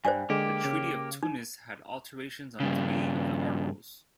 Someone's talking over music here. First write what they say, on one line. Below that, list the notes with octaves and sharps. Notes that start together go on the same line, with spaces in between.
The Treaty of Tunis had alterations on three of the articles.
G2 C5 D5 G#5
D3 G#3 A#3 G4
C#3
D#4
G2 C#3